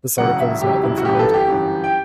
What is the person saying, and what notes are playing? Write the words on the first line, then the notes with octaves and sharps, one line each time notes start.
This article has not been found.
E1 E2 C#3 F#3 F#5
E5
E1 E2 C#3 F#3 G4
E4
F#4
G1 F#2 E3 G4
B4
A4
G4
G1 F#2 E3
G5